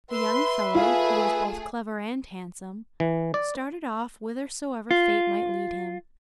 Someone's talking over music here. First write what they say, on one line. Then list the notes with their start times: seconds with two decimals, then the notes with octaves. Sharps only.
The young fellow, who was both clever and handsome, started off whithersoever fate might lead him.
0.11 B4 E5 C6
0.75 A3 F4 G#4 A4
3.00 E3
3.34 D5
4.91 F4